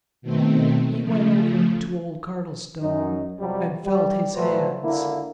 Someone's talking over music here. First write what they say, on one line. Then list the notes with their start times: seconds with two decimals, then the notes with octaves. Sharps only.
He went over to old Cardlestone and felt his hands.
0.22 B2 D#3 A3 C4
1.01 C#3 F3 A3
2.81 F#2 D#4
3.40 F2 C3 F#3 G3
3.85 G3
4.35 A#2 F3 F#3 A3 B4 C5
4.83 G#1 D3 A#3 E4